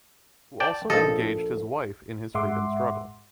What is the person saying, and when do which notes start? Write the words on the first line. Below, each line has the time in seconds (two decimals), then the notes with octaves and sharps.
Who also engaged his wife in his freedom struggle.
0.60 D5 G5 A5
0.90 A#1 F3 A4 D#5
2.34 G#2 G#3 E5 F#5 C6 D6